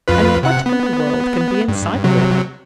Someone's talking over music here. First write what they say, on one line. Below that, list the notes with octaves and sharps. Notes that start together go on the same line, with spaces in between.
"And what in the world can be inside of it?"
F2 F4 B4
C3 F#5
B3
G2
C3 F#3